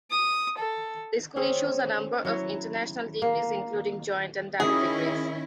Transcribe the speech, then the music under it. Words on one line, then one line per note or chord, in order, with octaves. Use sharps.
The school issues a number of international degrees, including joint and double degrees.
D#6
A4
C4 C#4 G#4
F#3 E4 C#5
A#3
D#3 C#4 E4 G#4